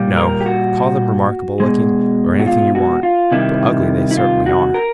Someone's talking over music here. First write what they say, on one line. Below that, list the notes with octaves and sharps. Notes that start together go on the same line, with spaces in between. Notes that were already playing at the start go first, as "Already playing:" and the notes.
"No! Call them remarkable-looking or anything you want--but ugly they certainly are."
Already playing: A#2 G3
A#4
G4
F#4
B2 G#3
F#4
F4
F#4
F4
C3 D#3 G3 E4
E4
F4
F#4
A#4